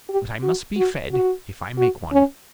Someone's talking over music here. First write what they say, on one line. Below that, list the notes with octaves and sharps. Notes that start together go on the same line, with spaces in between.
"But I must be fed, if I make one."
G4
F#4
F#4
F#4
F#4
C#4